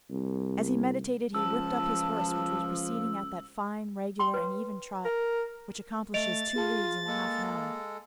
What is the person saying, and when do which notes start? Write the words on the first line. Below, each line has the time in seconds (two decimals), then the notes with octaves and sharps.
As he meditated, he whipped up his horse, which was proceeding at that fine, regular, and even trot which accomplishes two leagues and a half an hour.
0.11 C2
1.35 C#2 F3 A5 E6
4.19 G5 C6
4.34 B4 C#5
5.05 A#4
6.14 A3 D#5 A6 D7 F7
6.56 F4 G#4 A5
7.08 G#3 A#3 A4